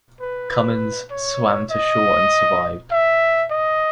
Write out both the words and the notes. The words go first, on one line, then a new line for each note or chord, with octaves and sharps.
Cummins swam to shore and survived.
B4
B4
C#5
D#5
E5
D#5